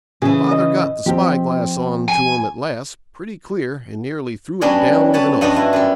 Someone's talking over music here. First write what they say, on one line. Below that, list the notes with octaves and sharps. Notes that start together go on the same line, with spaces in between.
Father got the spyglass on to 'em at last, pretty clear, and nearly threw it down with an oath.
C#3 E3 G#4
D#5
F3 C4 G4
G#5
F#3 G3 B3 C#4 D4 C#5
B4 C#5 F#5 A5
G2 F3 B3 D4 F#4 D#5
E4
F#2 G3